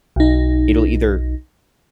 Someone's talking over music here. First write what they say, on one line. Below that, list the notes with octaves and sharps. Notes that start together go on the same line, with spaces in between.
it'll either
B1 D#4